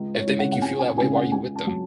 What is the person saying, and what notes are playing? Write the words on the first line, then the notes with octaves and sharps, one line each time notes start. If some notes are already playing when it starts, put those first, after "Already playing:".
If they make you feel that way, why are you with them?
Already playing: C#2
C#5
C#3 G#3 C#4 E4
F#5
F#5
C#2 G#5
G#5
C#3 G#3 C#4 E4 G#5
F#5
C#2 G#5
A5
F#3